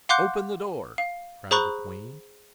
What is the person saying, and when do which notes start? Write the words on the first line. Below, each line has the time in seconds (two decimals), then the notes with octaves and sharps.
"Open the door!" cried the queen.
0.09 F5 F#5 C6 D6 F#6 G6
0.98 F5
1.51 G#4 C5 A#5 B5 C#6 F#6